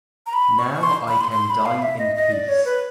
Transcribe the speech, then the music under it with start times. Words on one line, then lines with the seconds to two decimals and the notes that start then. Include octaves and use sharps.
Now I can die in peace.
0.26 A#5
0.33 B5
0.59 C#6
0.83 C6
1.08 B5
1.21 C6
1.32 C6
1.50 B5
1.65 F5
1.82 E5
1.99 D#5
2.15 D#5
2.32 D5
2.48 C#5
2.65 B4